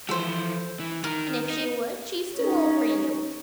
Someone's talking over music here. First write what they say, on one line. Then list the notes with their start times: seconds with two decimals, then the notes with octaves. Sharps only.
And if she would, she is too old for you.
0.09 E3 F3 A4 C5
0.80 E3
1.04 D#3 A#4
1.50 D#4
2.37 C#4 D#4